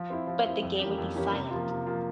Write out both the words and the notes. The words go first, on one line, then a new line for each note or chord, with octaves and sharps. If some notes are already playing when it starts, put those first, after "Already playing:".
but the game would be silent,
Already playing: F3
C4 E4
F3
C4 E4
F2
E3 A#3 C#4 G4
F2
E3 A#3 C#4 G4
C3
F3 A#3 F4
C3
F3 A#3 F4